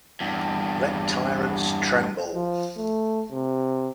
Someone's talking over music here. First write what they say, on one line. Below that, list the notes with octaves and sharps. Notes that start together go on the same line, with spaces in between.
Let Tyrants Tremble!
E2 G2
F3
A3
C3